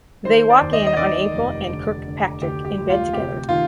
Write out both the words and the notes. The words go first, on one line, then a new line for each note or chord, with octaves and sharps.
They walk in on April and Kirkpatrick in bed together.
D#3 C5
D5
D#2
D#5
D#5
D#3 D5
F1
D3
D3
D2 G4
G4
D2
F4
C3 G4
D#3 F4